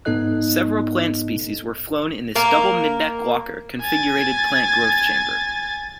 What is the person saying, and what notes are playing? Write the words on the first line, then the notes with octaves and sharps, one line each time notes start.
Several plant species were flown in this double middeck locker configurated plant growth chamber.
G#2 B3 D#4 A4 D#5 F#6
A#3 A#4
G#5 A6